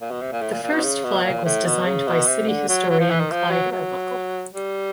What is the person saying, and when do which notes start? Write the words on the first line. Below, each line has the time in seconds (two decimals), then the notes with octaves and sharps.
The first flag was designed by city historian Clyde Arbuckle.
0.01 A#2
0.11 B2
0.21 C3
0.32 A#2
0.42 A2
0.52 A#2
0.62 A#2
0.72 B2
0.83 C#3
1.04 B2
1.24 A#2
1.45 A2
1.66 B2
1.86 C#3
2.07 B2
2.27 C3
2.48 D3
2.68 F#3
2.90 F#3
2.99 F3
3.10 E3
3.20 D#3
3.31 F3
3.51 F#3
3.72 F#3
4.54 G3